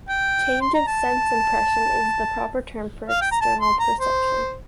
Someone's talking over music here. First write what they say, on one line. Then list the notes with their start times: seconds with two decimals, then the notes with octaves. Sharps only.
Change of sense-impression is the proper term for external perception.
0.09 G5
0.62 C6
0.74 A#5
0.87 A5
3.09 F5
3.22 G5
3.32 A#5
3.41 A5
3.61 C6
3.80 A#5
4.00 C5